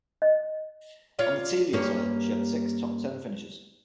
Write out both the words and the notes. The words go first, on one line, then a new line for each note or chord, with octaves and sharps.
On the Telia tour she had six top ten finishes.
D#5
F4 C#5 D5
G2 A#3 C#4